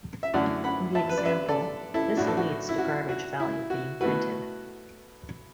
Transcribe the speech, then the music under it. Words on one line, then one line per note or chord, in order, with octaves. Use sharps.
In the example, this leads to garbage value being printed.
E5
F#2 D3 A3 E4 D5 F#5
F#5 B5
E5 A5
B4
D5
B4 E5
A4 D5
E4 A4
B1 A2 F#3 D4 F#4
A4
F#4
E4
F#4
F#4
E4
F#4
B2 A3 E4 F#4 B4